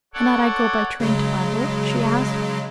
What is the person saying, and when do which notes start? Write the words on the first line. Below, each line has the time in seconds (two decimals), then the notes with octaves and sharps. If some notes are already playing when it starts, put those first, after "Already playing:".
"Cannot I go by train to Oundle?" she asked.
0.14 A4 C#5 D5 F#5
1.00 C#3 F#3 G#3